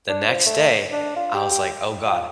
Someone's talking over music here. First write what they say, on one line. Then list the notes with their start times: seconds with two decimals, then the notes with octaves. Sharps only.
the next day, I was like, "Oh god.
0.10 D4
0.28 F3
0.46 A3
0.92 D4
1.16 F4
1.35 G4
1.52 G4
2.06 F4